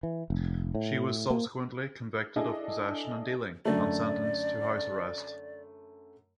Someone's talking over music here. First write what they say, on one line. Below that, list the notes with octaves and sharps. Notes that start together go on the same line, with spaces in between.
She was subsequently convicted of possession and dealing and sentenced to house arrest.
E3
F1
A2
A#3
D4 E4 G#4 A4 D#5
F#2 D3 A3 D5